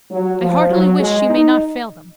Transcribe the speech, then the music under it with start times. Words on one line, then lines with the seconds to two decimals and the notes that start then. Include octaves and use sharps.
I heartily wish you may not fail them.
0.10 F#3
0.40 F3
0.69 F#3
0.98 G#3
1.29 D#4